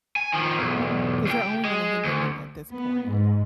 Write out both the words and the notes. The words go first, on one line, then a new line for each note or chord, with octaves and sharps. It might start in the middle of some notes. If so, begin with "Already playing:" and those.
Right, 'cause you're only gonna hinder me at this point.
G#5
D#3 F3
B1 E2
C#2 G5
G#3
D2
B3
G#2